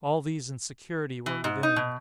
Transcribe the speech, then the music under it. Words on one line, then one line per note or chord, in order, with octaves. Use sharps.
All these and security were within.
E3
G#2
D#4
B2